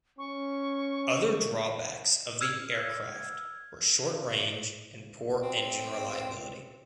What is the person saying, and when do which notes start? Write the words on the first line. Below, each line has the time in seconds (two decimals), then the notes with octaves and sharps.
Other drawbacks of the aircraft were short range and poor engine reliability.
0.18 C#4 C#6
2.41 E6 F6 G#6
5.43 C4